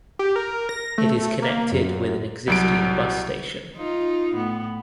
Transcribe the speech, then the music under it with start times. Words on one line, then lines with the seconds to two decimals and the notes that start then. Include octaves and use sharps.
It is connected with an existing bus station.
0.19 G4
0.36 A#4
0.69 A#6
0.98 A3
1.42 A#3
1.72 F#2
2.47 C2 F#3 D7
3.76 D#4 F4
4.34 A2 B3